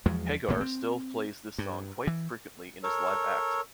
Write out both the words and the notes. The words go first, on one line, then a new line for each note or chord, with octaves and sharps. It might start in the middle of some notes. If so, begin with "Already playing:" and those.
Hagar still plays this song quite frequently in his live act.
E2 F3 F#3 G#3
G#1 D2 A#2 A3
C4
G2
E3
A4 A#4 C#5